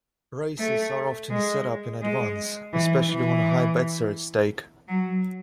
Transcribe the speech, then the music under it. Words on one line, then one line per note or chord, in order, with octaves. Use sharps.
Races are often set up in advance, especially when high bets are at stake.
A3
G#3
G#3
E3
E3
F#3